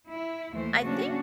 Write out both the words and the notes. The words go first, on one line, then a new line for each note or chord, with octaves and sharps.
I think
E4
D#2 E3 A3 C5
C#3 F#3 A#3 C#4 D4 F#4